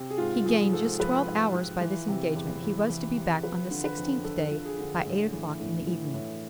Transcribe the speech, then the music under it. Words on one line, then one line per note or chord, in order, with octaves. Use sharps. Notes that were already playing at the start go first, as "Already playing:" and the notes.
He gained just twelve hours by this engagement; he was to be back on the sixteenth day, by eight o'clock in the evening.
Already playing: C3
G#4
G#2 F4
F3 G#4
G#2 A4
F3 B4
G#2
F3
E3
C3
E2
E2
E3
C3
F3 B4
D3
B4
F2
F2 A4
F3
G#4
D3
A2
E3
A2
E3
A2